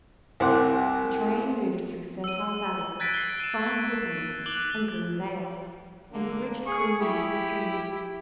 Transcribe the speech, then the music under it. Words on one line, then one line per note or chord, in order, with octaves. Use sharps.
The train moved through fertile valleys, fine woodland and green vales, and bridged cool mountain streams.
C2 C4 C5 F#5 D6
E6 D#7
F#6 G#6 A6 B6 D7
C7 F#7 G7
D#7 E7
D6 F#6 F#7 G7
D3 A#3
G#4 C#6
E4 G4